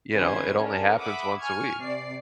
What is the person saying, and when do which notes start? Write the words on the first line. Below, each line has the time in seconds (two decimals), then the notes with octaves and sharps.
you know, it only happens once a week.
0.13 C3 D#3 C#4 B4 C5 G#6
0.57 C#4 D4 A4 A#4
1.00 E5 F#5 B5 D6 D#6
1.40 G#5 C#6 F6 G#6
1.79 C3 D5 C7